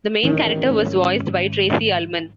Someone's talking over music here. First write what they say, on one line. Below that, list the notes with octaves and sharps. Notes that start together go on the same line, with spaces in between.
The main character was voiced by Tracey Ullman.
A1 D#3 C4 C#4
G#1 C#4